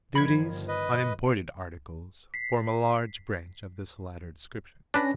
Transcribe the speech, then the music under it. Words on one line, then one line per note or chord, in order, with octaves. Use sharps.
Duties on imported articles form a large branch of this latter description.
G1 D#3 F3 B5 G#6
B4 D#5
B6 C7
C#4 D4 B4 A#6